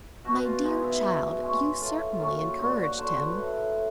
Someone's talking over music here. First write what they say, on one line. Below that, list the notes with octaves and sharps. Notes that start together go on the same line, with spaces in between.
"My dear child, you certainly encouraged him."
B2 F#4
F4
G#3 B3 D#4
E4
B2
G#3 C#4
A2 F4
F#3 A#3 C#4
G2 F#4
F#4
D3 F#3 C5
B4
A2